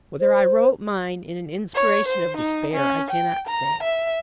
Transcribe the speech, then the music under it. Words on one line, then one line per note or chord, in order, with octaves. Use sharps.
Whether I wrote mine in an inspiration of despair, I cannot say.
C5
C#5
C5
D#4
C#4
G5
A#5
E5